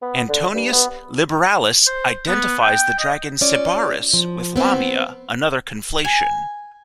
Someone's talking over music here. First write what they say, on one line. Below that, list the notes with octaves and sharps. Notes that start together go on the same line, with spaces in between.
Antoninus Liberalis identifies the dragon Sybaris with Lamia, another conflation.
B3
D3
G2
B3
C5
B3
G5
D#5
C#4 F4 D5
F3
B3 C4
G#5